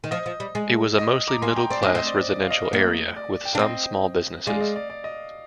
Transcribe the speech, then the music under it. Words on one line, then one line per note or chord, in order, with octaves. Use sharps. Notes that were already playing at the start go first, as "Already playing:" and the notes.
It was a mostly middle-class residential area, with some small businesses.
D#3
F3 D#5
F3
G3
G#3
D#5
A#5 D6
A#3 G#5 C6
G5 A#5
C4 D5
D4 D#5
C4 D#5
D5
D5
F5
D#5
A#3
D5
G5
D4 F5
C4 D#5 G5
G#3 D5 F5
D#5
D5
D5
D#5